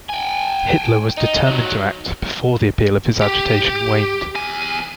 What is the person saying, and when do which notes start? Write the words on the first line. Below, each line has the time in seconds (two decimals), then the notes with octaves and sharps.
Hitler was determined to act before the appeal of his agitation waned.
0.09 G5 G#5
1.18 D#4
1.47 D#3 F#3
3.21 G4
4.35 E2 G#5